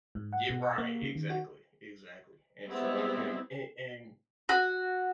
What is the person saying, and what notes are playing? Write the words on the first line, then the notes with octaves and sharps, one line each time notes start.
Yeah, right, exactly, exactly, and so I think an and
G#2
F#5
B2
C#6
A#3
C#3
D#3
F#4
G3 G#3 B3 C4 E4
F#4